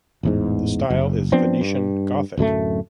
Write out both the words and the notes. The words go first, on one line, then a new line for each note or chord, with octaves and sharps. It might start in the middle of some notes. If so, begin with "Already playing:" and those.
The style is Venetian Gothic.
A1 E2 G#2
F#1
F3 B3 C4 D4
G2
D1 F#2 G#3 A3